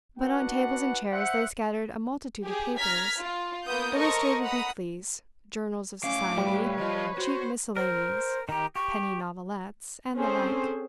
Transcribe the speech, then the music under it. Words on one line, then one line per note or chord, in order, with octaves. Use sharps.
But on tables and chairs lay scattered a multitude of papers: illustrated weeklies, journals of society, cheap miscellanies, penny novelettes, and the like.
D4 F#4 B4 F#5
C5 E5 F#5
G4 G#4
A#5 F6 G#6 B6
F4
A#3 B3 D#6 G6
A4 A#4 C5 D#5 A#5 C#6
F#5 A#5 B5 D#6
A2 C#4 F5 D6
G3 B4 C#5
F3 F4 D#5
F#4 C5
A#4 C5
D#3 G4 A#5
G4 C#6
C4 C#4 G#4 A4 C5